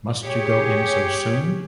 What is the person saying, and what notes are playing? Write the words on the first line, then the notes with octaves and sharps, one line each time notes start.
Must you go in so soon?
G4 G#4 C#5